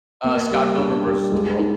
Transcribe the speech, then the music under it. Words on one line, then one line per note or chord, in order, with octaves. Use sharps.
Uh, Scott Pilgrim vs. the World.
A#3
G3
D4
G3
G#3
D#4